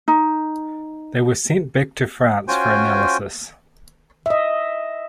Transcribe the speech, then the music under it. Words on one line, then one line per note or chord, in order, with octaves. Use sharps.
They were sent back to France for analysis.
D#4
C#4 F4 F#4 C5 G5 G#5
D#5 E5